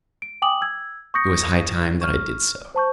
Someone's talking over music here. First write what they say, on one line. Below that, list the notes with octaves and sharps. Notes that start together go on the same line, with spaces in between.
It was high time that I did so.
D7
G5 G#5 D6 D#6 F#7
E6 G#6
C#6 D#6 G6 A#6 C#7
C#6 F6
C5 A5 C#6 G6